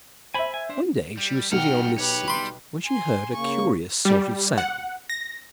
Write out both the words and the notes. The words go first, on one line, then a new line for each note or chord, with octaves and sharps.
One day she was sitting on this seat when she heard a curious sort of sound.
C5 E5 G#5 B5
G#5
D4 C5 E5
G3
B1 G3 F#5 G5 F6
G4 B4 C#5
G3 B5 C6
G#5 C6
C#3 A#3 C#6
G3
F#5
A#6